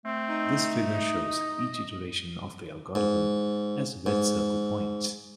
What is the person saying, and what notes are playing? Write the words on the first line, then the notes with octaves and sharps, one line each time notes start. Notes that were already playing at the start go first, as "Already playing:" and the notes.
This figure shows each iteration of the algorithm as red circle points.
A3 C4
D#4
D#5
G#2
G#2